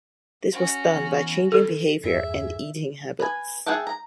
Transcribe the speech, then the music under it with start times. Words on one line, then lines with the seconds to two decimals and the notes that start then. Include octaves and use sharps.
This was done by changing behaviour and eating habits.
0.53 C#4 F#4
0.95 E3 B3
1.52 D#3 A4
2.03 E2 G2 G#4 E5
3.20 B4 G#5
3.66 G#4 E5 F#5 G5 A5
3.87 A#5